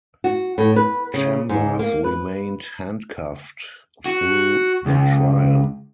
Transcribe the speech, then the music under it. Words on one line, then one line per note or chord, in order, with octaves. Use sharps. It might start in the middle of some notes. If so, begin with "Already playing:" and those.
Chambers remained handcuffed through the trial.
F#4
A2
B4
C#3
G#2
A#3
B4
F#4
C#2